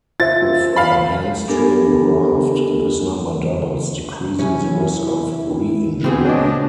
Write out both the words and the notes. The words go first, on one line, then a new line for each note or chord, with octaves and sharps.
With a hamstring graft, this number doubles, decreasing the risk of re-injury.
F4 C5 E5 A6
F5 B5
B3 D4 G4 A4 A#4 G#5
C3 F#3 C#4 E4
A#2 E3 B3 C4 G#4
D4 C#5 D#5